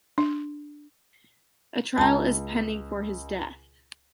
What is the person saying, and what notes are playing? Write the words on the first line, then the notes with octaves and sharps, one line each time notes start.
A trial is pending for his death.
D4
C#2 A5 A#5